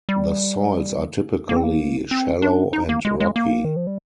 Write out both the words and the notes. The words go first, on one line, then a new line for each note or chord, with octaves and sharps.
The soils are typically shallow and rocky.
G3
A#3
C4
A#3
C4
D4
D#4
A#3
G#3
G#3
A#3
D#3
F3
G3